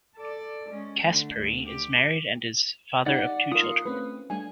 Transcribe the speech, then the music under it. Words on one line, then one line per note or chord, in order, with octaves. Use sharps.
Caspary is married and is father of two children.
A4 D5
G#3 C#4
D3 A3
D2
G4
D#4 G4 D5 F#5
F4 A#4 D#6
A#3 C7 C#7
A3 C4 C#4 B4
G3 A3 D4 G#5